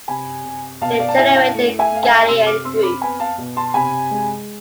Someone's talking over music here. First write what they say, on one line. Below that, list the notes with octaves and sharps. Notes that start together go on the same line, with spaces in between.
They generate the Galilean group.
C3 G#5 B5
C3
B2 F5 A5
D5 F5
A5
E4 E5 G#5
F5 A5
A3
E5 G#5
A3 F5
E5 G#5
C3 C6 E6
D6 F6
C4 C6 E6
B5 D6
B3 G#5 B5
F5 A5
B2
A5 C6
C3 G#5 B5
G#3